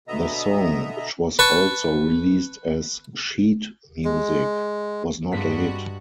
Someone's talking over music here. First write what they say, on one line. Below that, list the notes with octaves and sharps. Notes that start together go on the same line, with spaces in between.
The song, which was also released as sheet music, was not a hit.
B2 D3 B3 D#5 E5 A#5
B4 A5 C#6
G#3
G2 G3 G#3 F#4 B6